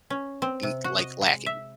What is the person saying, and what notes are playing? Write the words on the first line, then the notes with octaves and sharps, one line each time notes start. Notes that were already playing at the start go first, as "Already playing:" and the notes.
n like, lacking.
C#4
C4
C3
F#4
D#5
G#3
E5